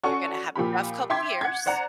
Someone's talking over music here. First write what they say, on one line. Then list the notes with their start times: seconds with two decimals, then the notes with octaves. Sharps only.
you're gonna have a rough couple of years"
0.04 C#4 F#4 A4 D5 F#5 C#6
0.56 A#2 F3 G4 B5
1.10 E5 G5 C6 D6 G#6 B6
1.41 F#5 G#6
1.66 C5 D5 F#5 A#5